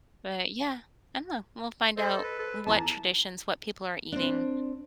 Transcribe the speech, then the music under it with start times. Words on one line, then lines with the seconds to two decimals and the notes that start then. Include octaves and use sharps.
But yeah, I don't know, we'll find out what traditions, what people are eating,
1.97 A4 C5 D#5
2.23 B4
2.39 A4
2.66 E2 E3 A5 A#5
4.12 C4 D4